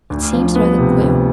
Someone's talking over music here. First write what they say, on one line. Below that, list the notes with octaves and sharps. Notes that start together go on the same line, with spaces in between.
"It seems rather queer."
D2
F3
B3
C3
D2